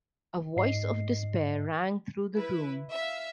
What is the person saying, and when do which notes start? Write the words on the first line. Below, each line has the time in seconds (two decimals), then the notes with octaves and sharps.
A voice of despair rang through the room.
0.56 G#2 D#5 C7
2.37 E4 B4
2.92 E5 F5